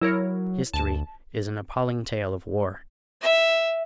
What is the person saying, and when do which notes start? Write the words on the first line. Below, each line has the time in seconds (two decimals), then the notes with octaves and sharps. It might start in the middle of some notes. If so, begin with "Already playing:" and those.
History is an appalling tale of war.
0.01 F#3 E4 A#4 C#5
0.73 D2 A5
3.22 E5